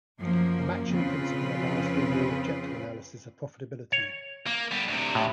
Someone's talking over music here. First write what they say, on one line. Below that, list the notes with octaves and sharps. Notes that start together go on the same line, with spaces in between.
The matching principle allows for a more objective analysis of profitability.
F#2 F3 A#3
F2 C#3 C4 F4 B4
C#5
A#3
G3 B3
D2 C3
A2